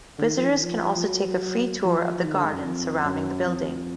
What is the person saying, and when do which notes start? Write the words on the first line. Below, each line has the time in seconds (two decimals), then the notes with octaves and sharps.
Visitors can also take a free tour of the gardens surrounding the building.
0.18 D3
0.23 D#3
0.37 F3
0.50 D#3
0.63 F3
0.95 F3
1.04 F#3
1.84 F3
2.18 F3
2.25 D#3
2.34 D3
2.45 G#2
2.54 F#2
2.65 F2
2.99 F2
3.04 F#2
3.45 F2